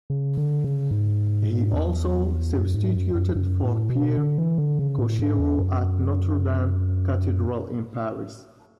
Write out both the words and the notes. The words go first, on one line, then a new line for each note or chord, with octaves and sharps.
He also substituted for Pierre Cochereau at Notre Dame Cathedral in Paris.
C#3
D3
C#3
G#2
E2
F#2
G#2
F#2
F#2
F#2
A2
B2
D3
E3
D3
C#3
A2
G#2
E2
F#2